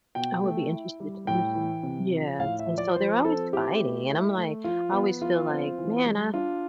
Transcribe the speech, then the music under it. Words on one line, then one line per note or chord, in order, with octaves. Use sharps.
I would be interested interested yeah, and so they're always fighting, and I'm like I always feel like, "Man, I"
B2 G5
A3
E4
G3
A2 G5
E3
C3
F3
A2 F5
E5
F3
D5
F3 C5
C4 A4
E4 G4
A3
E4
A3
F3 F4
B3
F3 F4
C4
E3
G3
D4 F4